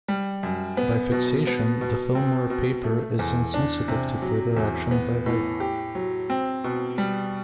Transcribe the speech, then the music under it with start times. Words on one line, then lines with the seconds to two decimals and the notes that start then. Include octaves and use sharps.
By fixation, the film or paper is insensitive to further action by light.
0.08 G3
0.43 F#2
0.77 B3
1.12 B2
1.47 B3
1.81 B2
2.15 C4
2.50 B2
2.84 A3
3.19 E2
3.54 D4
3.88 C3
4.22 F#3
4.57 E2
4.91 B3
5.26 A2
5.60 G4
5.95 F#3
6.30 C4
6.64 B2
6.98 G3